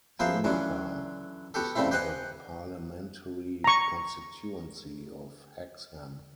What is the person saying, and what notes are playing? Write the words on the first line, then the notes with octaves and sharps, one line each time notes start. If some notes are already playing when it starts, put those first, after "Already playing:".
Juniper is in the parliamentary constituency of Hexham.
F3 A#3 B3 G#4 C5 E5
D3 E3 F#3 C#4
B3 F#4 G4 A4
C#3 G3 A3 C4 E4
G4 B4 C5 D#5 F#5 G#5
A#5 C#6